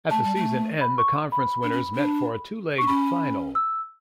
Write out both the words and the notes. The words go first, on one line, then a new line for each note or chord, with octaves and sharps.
At the season end, the conference winners met for a two-legged final.
A3 A5
G3
A3
B5
C#6
B5
D4
C#4
D4
D4 C#6
C#4 B5
E6